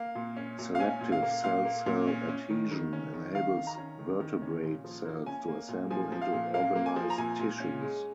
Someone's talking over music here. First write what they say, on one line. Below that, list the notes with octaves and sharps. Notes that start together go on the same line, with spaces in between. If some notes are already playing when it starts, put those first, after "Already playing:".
Selective cell-cell adhesion enables vertebrate cells to assemble into organised tissues.
Already playing: A#3 F5
A#2
C#4
A#2
F5
C#4 G#5
A#2
F5
A#3
A#2 F5
A#3
A#2
C#4
C#4
D#3
D#3
C#4
D#3
D#3 F5
D#3
A#5
C#4
D#3
D#3
C#4
A#2
F3
A#3
C#4 G#5
A#3
A#2
F3 G#5
F3
F5
A#2
A#3 F5
A#3
G#5
F3
A#5
A#2 G#5
A#2
C#4
G#3